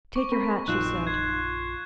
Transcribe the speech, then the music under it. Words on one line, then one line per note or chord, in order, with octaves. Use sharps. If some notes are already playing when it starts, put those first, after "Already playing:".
"Take your hat," she said.
C#6 D6
C4 A#4 B5
A#1 F#2 C4 D#4 F4 F#6 E7
C6 G#6